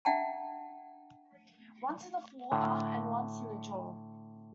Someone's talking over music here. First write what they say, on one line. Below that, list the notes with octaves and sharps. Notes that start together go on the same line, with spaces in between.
Once in the forearm and once in the jaw.
D4 E5 F#5 G5 A5 A#5
A2 D3